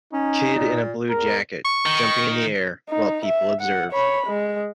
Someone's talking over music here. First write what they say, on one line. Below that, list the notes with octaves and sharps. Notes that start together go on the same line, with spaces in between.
Kid in a blue jacket jumping in the air while people observe.
C#4 D#4
A#2
E2 A#4
C#6
D#3
D#4
E5
F#5
C#5 B5
G#3